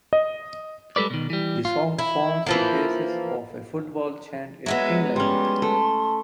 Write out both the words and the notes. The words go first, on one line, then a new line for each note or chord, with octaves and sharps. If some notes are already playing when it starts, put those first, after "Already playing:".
The song forms the basis of a football chant in England.
D#5
G3 G#3 A4 B4 D5
B2 D#3
E3 G3
F4
E4
E3 F3 A#3
F#3 G#3 B3 E5
G3 C#4 C6
A3 A5